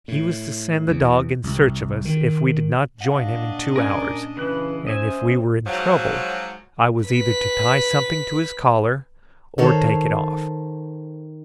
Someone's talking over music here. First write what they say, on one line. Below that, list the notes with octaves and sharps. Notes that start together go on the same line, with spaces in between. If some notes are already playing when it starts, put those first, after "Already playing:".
"He was to send the dog in search of us if we did not join him in two hours; and if we were in trouble I was either to tie something to his collar or take it off."
A2
E2
C2
D#3
A#2 D4 D#5 F5 F#5
C#4 A#4 D5 G#5
C#3 E3 B4 F#6
C5 D#5 E5 G#5
G#2 F3 F#3
B4 B6
D#3 A4 C5 C#5